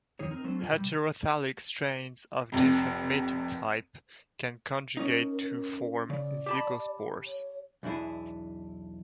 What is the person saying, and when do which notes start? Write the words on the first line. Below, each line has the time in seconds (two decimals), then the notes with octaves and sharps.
Heterothallic strains of different mating type can conjugate to form zygospores.
0.19 F2 D#3 D#4 G#4 C#5
0.31 C4 D#4 A#4
0.44 F#3 A3 C4 D4 C5
0.59 F4 G#4 A4 D5
0.73 C3 G3
2.52 F1 F2
4.97 C#4 D#4 A#4
6.10 C#3 D5
6.46 G4 A5 B5
7.27 C#5
7.83 B1 E2 D4 E4 G#4